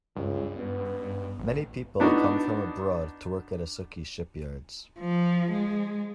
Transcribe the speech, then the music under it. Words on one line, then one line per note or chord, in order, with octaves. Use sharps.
Many people come from abroad to work at Usuki shipyards.
C#2 G2
B3
A1
B3 D4 D#4 F#4
F3
G#3